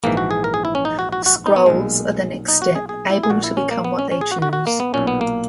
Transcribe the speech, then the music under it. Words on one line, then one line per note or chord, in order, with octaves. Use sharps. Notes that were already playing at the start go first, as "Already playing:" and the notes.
Skrulls are the next step, able to become what they choose.
A#1 G#2 E3 A#3
F#4
G#4
A#4
G#4
E4
C#4
D#4
F#4
F#4
F#4
D#4
B3
B1 A#2 G#3
D#4
F#4
G#4
G#4
E4
G#4
A#1 A#2 F#4
E4
C#4
A#3
B3
C#4
C#4
G#4
F#4
F#4
F#4
A#3
B3
B1 A#2 C#4
B3
A#3